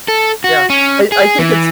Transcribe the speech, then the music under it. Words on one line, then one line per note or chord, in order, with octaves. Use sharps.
Yeah, I I think it's
A4
F#4
C#4
G#4
E3